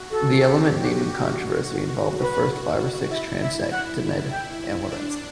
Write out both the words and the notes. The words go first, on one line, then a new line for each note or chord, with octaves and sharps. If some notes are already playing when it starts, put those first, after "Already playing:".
The element naming controversy involved the first five or six transactinide elements.
Already playing: F#4
A4
G4
F#4
B4
E4 E5
E5
F#5
G5
D4